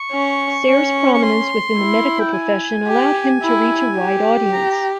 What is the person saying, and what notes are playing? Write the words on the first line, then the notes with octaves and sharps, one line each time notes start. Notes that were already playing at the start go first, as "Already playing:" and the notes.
Sayre's prominence within the medical profession allowed him to reach a wide audience.
Already playing: C#6
C#4
C#4
C#6
C6
E4
G5
G#5
G4
E4
G4
A#5
A#5